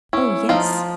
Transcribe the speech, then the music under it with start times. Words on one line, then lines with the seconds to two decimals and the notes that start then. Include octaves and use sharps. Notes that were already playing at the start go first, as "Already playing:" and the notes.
"Oh, yes."
0.13 C#4 E4
0.49 F3 D#4 F4